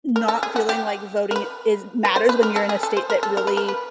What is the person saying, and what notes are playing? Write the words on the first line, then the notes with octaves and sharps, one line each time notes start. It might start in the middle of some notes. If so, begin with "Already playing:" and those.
not feeling like voting is matters when you're in a state that really
A#4
A4
G#4
F#4
G4
A#4
B4
B4
C5
B4
A#4
A4
G#4
A4
C5
A#4
A4
A#4
B4
A#4
B4